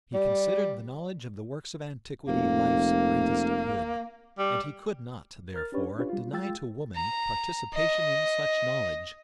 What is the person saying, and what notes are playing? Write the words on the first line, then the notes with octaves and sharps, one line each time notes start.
He considered the knowledge of the works of antiquity life's greatest good, and he could not, therefore, deny to woman participation in such knowledge.
G3
F1 A#3
G3
A#4 F6 A6
C#4 D4 G4 B4 C#5
C#4 D4 F4 G4 B4 C#5
G3 F4
G#3 F4 G5 E6 A6
A#5
D#5